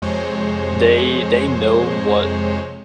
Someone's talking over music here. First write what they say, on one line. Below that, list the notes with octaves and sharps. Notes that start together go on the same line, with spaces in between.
they they know what
F2 C3 G#3 C5 C#5